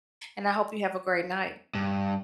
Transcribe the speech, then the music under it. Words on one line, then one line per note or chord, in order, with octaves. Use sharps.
and I hope you have a great night.
G2